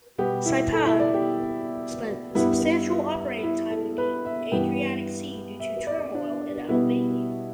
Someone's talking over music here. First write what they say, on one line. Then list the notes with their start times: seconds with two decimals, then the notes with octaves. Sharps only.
"Saipan" spent substantial operating time in the Adriatic Sea due to turmoil in Albania.
0.18 B2 G3 B3 G4
0.46 E4
0.72 A4
0.86 E4
1.00 D5
1.14 G4
2.35 G2 G3 B3 E4
3.43 E4
3.71 A4
3.98 B4
4.25 E5
4.52 G2 E3 G3 B3 G5
5.60 E5
5.87 D5
6.15 D4
6.68 B2 G3 B3 E4